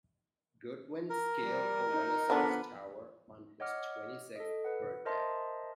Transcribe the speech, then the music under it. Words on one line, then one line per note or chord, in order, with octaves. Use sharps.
Goodwin scaled the Renaissance Tower on his twenty-sixth birthday.
A#4
G3
D#4
D3 F3 B3 D4 B4
C#5 D#5 F#5 D6 F6
A4 D#5
B4 F#5
A#4 C5 D#5 E5 A5 C6